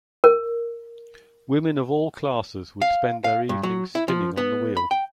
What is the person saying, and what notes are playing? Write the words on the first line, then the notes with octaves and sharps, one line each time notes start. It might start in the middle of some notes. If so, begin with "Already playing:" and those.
Women of all classes would spend their evenings spinning on the wheel.
A#4
F5
F5
G2
F#3
E4
F3
B3
B5
G5